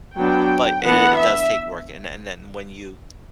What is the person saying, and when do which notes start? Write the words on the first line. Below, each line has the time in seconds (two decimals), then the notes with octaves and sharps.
but it it it does take work, and and then when you,
0.18 F#3 B3 D4 G5
0.84 E3 B3 D4 F#5
1.18 E5